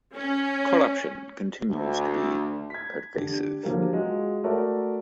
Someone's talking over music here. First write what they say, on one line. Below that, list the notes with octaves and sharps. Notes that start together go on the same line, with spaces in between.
Corruption continues to be pervasive.
C#4
D2
G#6 B6
D3 G4
D3 F3 F#3 A#3 G4 A#4
G#3 F4 F#4
A3 F#4 A#4 D5